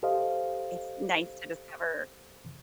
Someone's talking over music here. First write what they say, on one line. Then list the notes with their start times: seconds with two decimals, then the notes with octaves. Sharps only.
it's nice to discover
0.03 G4 A4 C5 D#5 F5